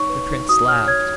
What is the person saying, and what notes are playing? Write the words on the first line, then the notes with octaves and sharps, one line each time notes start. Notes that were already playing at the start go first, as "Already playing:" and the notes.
The prince laughed.
Already playing: D#4 C#5 C#6
B4
D#4
F#4 D#6
C#5 F6
C#5 G#6